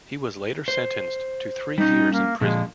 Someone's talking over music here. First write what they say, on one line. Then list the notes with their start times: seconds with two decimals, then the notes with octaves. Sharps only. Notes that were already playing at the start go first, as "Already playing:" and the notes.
He was later sentenced to three years in prison.
0.68 C5
1.78 G3 C#4 D#4
2.13 A#3
2.41 A#2 D3 F3 G#3